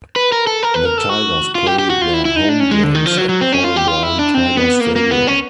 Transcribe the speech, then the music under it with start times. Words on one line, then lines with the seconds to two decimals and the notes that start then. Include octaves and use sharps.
The Tigers play their home games at Paul Brown Tiger Stadium.
0.16 B4
0.32 A#4
0.47 A4
0.63 A#4
0.74 B4
0.85 A#4
0.98 A4
1.09 F#4
1.55 F4
1.66 G4
1.79 G4
1.90 F#4
2.02 F4
2.14 E4
2.25 E4
2.36 D#4
2.49 D4
2.60 C#4
2.71 G#3
2.83 D3
2.95 D#3
3.06 F3
3.17 F#3
3.29 F#3
3.41 C4
3.52 C#4
3.64 F4
3.76 G4
3.88 F4
4.03 E4
4.19 D4
4.34 C4
4.57 B3
4.81 A#3
4.96 A#3
5.11 B3
5.27 C#4